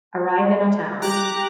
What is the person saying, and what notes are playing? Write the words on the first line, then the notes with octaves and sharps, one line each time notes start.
Arrive in a town.
G4 A#5 D6 F#6